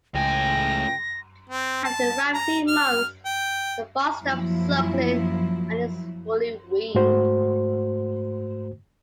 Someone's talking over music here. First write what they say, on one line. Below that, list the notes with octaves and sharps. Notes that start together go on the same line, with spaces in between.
After around three months, the fawn stops suckling and is fully weaned.
C#2 A2 G5 G#5 A#6
C4
A5
A#5
F6
G5
F#2 F3 F#3 A#3 E4
G#2 A3 F#4 C5